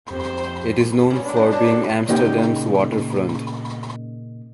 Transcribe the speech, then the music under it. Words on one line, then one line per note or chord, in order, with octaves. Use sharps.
It is known for being Amsterdam's waterfront.
F2 G4 C5
G3 B3 C#4
D4
G3 C#4 D#4
B2 D4 F#4
A2 B4 B5
A#2 C#3 D#4 G4